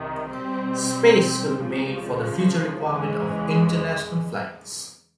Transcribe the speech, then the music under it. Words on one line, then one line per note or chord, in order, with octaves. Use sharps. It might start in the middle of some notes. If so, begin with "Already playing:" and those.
Space will be made for the future requirements of international flights.
Already playing: C2 C3 D#3
B2 G3 C4
C#2 C#3 F3
E2 C#3 E3 G#3